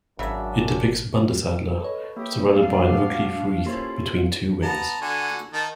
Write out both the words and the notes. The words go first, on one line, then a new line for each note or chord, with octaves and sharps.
It depicts the "Bundesadler" surrounded by an oak leaf wreath between two wings.
G#1 F#2 C#3 D4 E5
A4 B4 C#5 D#5
A#3 G4 C#6 D#6
C#4 D4 D5 F5
F4 F#4 D6
A#3 C#4 E4 F4 G4 A4 C5 C6
B3 A5 A#5
D3 F#4 G#5
D#3 D#4 A5